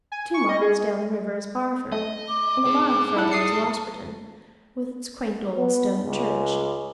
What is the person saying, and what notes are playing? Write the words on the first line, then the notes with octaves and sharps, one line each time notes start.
Two miles down the river is Barford, and a mile farther is Wasperton, with its quaint old stone church.
G#5
C#6
D#5
G#4
A3 D#5
D6
G#4 C5
E4 F#5 A5
D#6 C7 C#7
B3
C#2